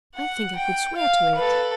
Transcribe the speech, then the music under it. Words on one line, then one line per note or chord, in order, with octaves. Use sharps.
"I think I could swear to it."
F#5
G5
F5
A4 B4